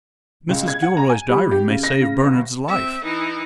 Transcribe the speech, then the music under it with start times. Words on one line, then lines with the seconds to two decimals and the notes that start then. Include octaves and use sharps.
Mrs. Gilroy's diary may save Bernard's life.
0.49 C#2
0.68 G#6
0.82 F#5
0.97 A#5
1.10 G#5
1.29 G3
1.51 G4
1.69 C#3
1.83 A#6
2.01 C#3
2.24 G1
2.68 C4 E5
3.04 E3 D#4